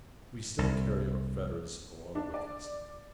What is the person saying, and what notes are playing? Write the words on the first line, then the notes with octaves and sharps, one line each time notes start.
We still carry our fetters along with us.
C2
D4
D5